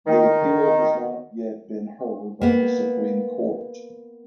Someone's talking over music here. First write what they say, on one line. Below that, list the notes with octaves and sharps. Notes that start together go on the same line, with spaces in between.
The appeal has not yet been heard by the Supreme Court.
D#3
A#3 B3